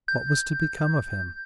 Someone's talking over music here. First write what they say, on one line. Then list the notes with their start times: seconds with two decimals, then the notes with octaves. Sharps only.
What was to become of him?
0.08 G6